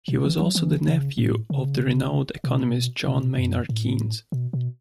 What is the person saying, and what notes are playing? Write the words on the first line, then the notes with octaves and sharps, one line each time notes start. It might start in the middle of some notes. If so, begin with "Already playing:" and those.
He was also the nephew of the renowned economist, John Maynard Keynes.
B2
E3
F#3
E3
C#3
A2
C#3
B2
B2
F#2
A2
B2
B2